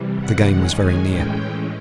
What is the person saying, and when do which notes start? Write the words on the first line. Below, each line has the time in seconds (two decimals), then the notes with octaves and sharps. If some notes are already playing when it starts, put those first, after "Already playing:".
The game was very near.
Already playing: C3 E3 G3
0.19 F#5
0.48 F#2 D#3 G#3 C#4
0.80 G#5
1.09 A2 E3 G#3 C#4 G5